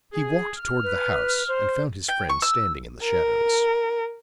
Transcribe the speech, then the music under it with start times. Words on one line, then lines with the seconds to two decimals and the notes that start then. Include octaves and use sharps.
He walked toward the house and found his friend standing in the shadows.
0.13 G#4
0.56 F6
0.83 B4
1.48 C5
2.08 G5
2.29 C#6
2.42 E6
3.03 A#4